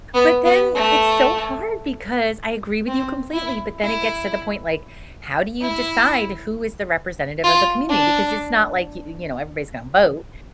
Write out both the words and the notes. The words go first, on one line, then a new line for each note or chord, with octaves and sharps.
But then it's so hard because I agree with you completely, but then it gets to the point, like, how do you decide who is the representative of the community, because it's not like y you know, everybody's gonna vote,
B3
B3
A3
C4
E4
E4
E4
F4
D4